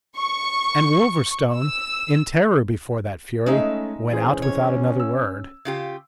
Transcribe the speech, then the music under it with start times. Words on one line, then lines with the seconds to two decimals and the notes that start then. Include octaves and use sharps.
And Wolverstone, in terror before that fury, went out without another word.
0.16 C#6
1.54 E6
3.46 G#3 A3 C#4 D#4 E5
4.11 E3 C#4 G#4 C5
4.42 C#5
5.00 E6
5.65 C#3 F4 G4